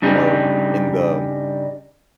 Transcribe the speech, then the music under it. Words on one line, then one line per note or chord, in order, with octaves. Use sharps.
you know, in the
G2 C#3 G3 D#4